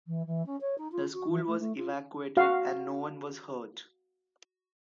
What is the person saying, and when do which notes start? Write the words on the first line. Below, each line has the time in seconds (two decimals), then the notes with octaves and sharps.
The school was evacuated and no one was hurt.
0.07 E3
0.26 E3
0.46 C#4
0.61 C#5
0.77 D#4
0.91 F4
1.13 F#4
1.29 E3
1.46 A3
1.59 A3
1.77 F4
2.37 F#4 F5